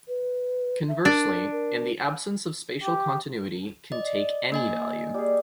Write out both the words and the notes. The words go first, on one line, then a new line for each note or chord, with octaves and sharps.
Conversely, in the absence of spatial continuity can take any value.
B4
E5
D4 A#4
A#4
G4
D5 D#5
A#3 D#5 G#5
G3 G4 G#4